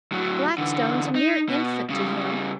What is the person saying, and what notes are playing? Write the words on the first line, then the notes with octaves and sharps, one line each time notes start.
Blackstone's a mere infant to him.
A2 F#3
D3 E3
D#4
B2
C#3 G3